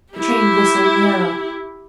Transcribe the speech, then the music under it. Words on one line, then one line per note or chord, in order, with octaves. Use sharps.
The train whistled nearer.
E4 G4